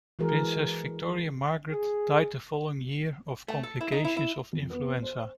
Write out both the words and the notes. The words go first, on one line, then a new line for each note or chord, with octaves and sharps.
Princess Victoria Margaret died the following year of complications of influenza.
E3 G#3 F#4 G#4 A#4
G#4
A3
A4
E4
D#4
E4
E4
F2
B3
C5